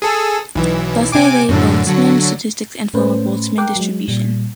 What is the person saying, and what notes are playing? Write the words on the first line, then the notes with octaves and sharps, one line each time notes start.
Thus they obey Boltzmann statistics and form a Boltzmann distribution.
G#4 A4
B1 E3
C3 G#5 D6
F#2 A2 D3
D3 F#3
A2 A3 C#4 B4 C5
A#4 G5 D6 F#6
F#3 G#3
A#2 G3